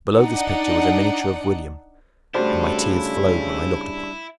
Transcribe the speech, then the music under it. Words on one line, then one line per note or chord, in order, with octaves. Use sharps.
Below this picture was a miniature of William; and my tears flowed when I looked upon it.
D4 D#4 D5 F#5
C#3 G3 A3 D4 E4 F#4 C5 A5